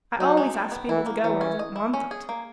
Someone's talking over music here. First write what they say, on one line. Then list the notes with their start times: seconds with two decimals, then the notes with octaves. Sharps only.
"I always ask people to go when I don't want them to."
0.19 F#3 D#4
0.37 G#3
0.54 D#3
0.72 B3
0.89 E3 E4
1.06 A#3
1.24 E3 F#3
1.41 C#4
1.59 D#5
1.76 E4
1.94 C#4
2.11 G#4
2.29 A#3